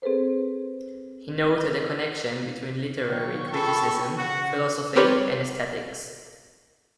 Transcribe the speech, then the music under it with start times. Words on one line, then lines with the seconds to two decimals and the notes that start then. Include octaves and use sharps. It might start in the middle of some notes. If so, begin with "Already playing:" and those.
He noted the connection between literary criticism, philosophy and aesthetics.
0.02 C4 G#4 A4 B4 C5
3.09 D#3 F#3 G5 C#6
3.52 F4 G#4 A4 B5
4.18 C#3 F#4 F#5
4.96 C4 G4 A#4 B4 C#5 D5